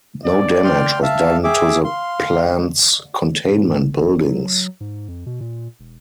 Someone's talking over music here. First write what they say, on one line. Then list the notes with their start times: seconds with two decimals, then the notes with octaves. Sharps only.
No damage was done to the plant's containment buildings.
0.25 D5
0.64 G5 C6 F6
1.02 E5 F5 A5
1.44 G#4 E5 G5 D6
1.84 F5 C6
3.51 G#2
3.84 G1
3.96 F#1
4.29 F#3
4.80 G#2
5.08 F2
5.26 B2
5.40 A#2
5.79 E1